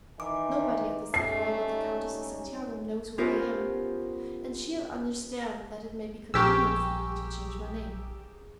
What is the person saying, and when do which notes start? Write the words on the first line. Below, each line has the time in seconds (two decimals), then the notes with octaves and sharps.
Nobody at the Savoy but the Countess de Santiago knows who I am, and she'll understand that it may be convenient for me to change my name.
0.20 D#3 E3 D6
1.14 G3 A3 C#4 D#4 C7
3.18 B3 C#4 F4 G4 A#4 C5
6.34 A#1 G4 G#4 A#4 C#6 E6